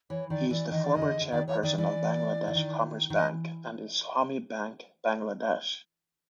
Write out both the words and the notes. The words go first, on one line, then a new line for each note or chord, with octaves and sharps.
He is the former chairperson of Bangladesh Commerce Bank and Islami Bank Bangladesh.
E3 C#5
D#3 D5
E3 D5
D#3 D#5
D5
C#3 D#5
D3
D3
D#3 D5
E3 C#5
D#3 D5
E3 D5
D3
D#3
D#3
E3 D#5